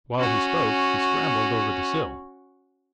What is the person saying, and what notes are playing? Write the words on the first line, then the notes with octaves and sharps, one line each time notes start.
While he spoke, he scrambled over the sill.
C#4 F#4